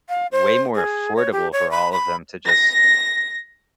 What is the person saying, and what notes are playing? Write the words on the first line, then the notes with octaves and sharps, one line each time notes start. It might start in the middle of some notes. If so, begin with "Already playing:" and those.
way more affordable for all of them to just
F5
C5
G#4
C#5
G4
C#5
B5
B5
A#6